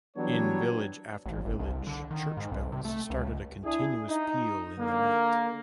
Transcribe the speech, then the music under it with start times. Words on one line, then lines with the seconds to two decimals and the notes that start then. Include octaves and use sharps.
In village after village, church bells started a continuous peal in the night.
0.16 E3 F#3 G3 B3 D4 C#5
1.26 A1
1.45 G1
1.59 C2
1.87 D3
2.11 D#3
2.37 G#2
2.52 C2
2.72 C3
2.85 A3
3.10 C#2
3.65 D4 E4 G#4
4.09 D#4
4.78 D3 A#3